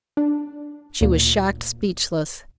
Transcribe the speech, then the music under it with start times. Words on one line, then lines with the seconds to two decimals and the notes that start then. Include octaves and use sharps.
She was shocked speechless.
0.17 D4
1.01 D2 A#2